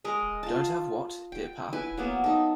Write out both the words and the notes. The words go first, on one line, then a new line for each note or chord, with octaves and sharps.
Don't have what, dear Pa?
G#3 A#4 D#5
F4 A5
G5
E4 B4 G#5
F#3 A#3 B3
D#4 A4